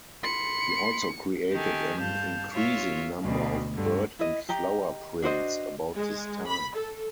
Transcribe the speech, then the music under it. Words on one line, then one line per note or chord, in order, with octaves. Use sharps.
He also created an increasing number of bird and flower prints about this time.
B5 C6 C#7
D#3 G4 A4 G#5
G2 F5 A5 G6
F4 C#5 E5
D2 B2
G2 D3
E4 D#5
G4 D#5 A#5
D4 F#4 C5 D#5
G#3
B5
A4